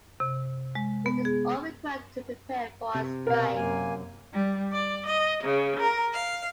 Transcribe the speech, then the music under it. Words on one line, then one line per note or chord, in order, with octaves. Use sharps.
This is all required to prepare for a strike.
C3
G#3
B3
G#4
C3
B2 A#4 F5
F#2 A#3 G#5
G3
D5
D#5
C#3
A#4
F5